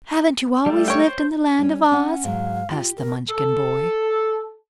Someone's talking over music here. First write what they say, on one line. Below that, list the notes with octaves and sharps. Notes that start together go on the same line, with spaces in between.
"Haven't you always lived in the Land of Oz?" asked the Munchkin boy.
G3 A3
C#5 G5
C5
G3 C#4
C#4 F#5
G#2 F#3 F5
F4 G4
A#4
A4